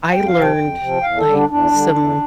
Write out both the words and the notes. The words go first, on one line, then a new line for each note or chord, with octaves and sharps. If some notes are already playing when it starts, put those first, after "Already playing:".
I learned, like, some
F2 G5
F5
C3 F3
G5
F2
C3 F3
E2 F5
A4
D3 G3
D4
E2 D4
D3 G3
E2